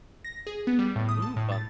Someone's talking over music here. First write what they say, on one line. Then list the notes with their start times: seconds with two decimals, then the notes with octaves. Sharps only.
Ooh, fun.
0.25 A#6
0.47 G#4
0.67 B3
0.79 G3
0.96 A2
1.09 D#6
1.22 A5
1.36 A2
1.52 A6